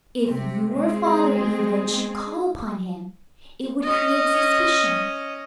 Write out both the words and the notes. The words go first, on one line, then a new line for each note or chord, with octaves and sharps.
If your father, even, should call upon him it would create suspicion.
C3
G#3 C4 G#4
C#4 D#5